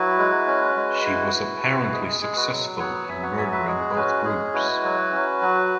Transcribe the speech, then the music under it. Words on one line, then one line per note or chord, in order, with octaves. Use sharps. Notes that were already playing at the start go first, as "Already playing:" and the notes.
She was apparently successful in murdering both groups.
Already playing: F#3 E4 F#4 B4
G#3
C#4
G#3
E4
E4
E4
G#3 G#4
G#4
G#3 G#4
F#4 B4
F#3
B3 C#5 F#5
F#3 E5 G#5
C#5 F#5
F#4 E5 G#5
B4 E5
G#3 G#4
C#4 F#4 B4
G#3 G#4
E4 F#4 B4
F#3
C#4
F#3